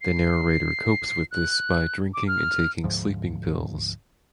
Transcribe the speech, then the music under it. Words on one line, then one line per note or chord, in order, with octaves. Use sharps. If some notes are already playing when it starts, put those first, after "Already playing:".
The narrator copes with this by drinking and taking sleeping pills.
C7
F#6
D6
F6
D2 G#2 F3